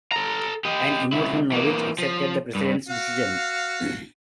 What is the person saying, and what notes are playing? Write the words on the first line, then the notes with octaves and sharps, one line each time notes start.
An emotional Novick accepted the President's decision.
A4 A#5
G4 D#5
C#2 E4
E3 A#3
F3
G2
F#4 F5